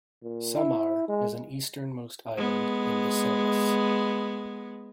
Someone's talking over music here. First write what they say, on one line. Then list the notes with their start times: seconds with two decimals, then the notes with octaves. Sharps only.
Samar is an easternmost island in Visayas.
0.23 A#2
0.57 E4
1.08 G#3
2.37 G#3 B3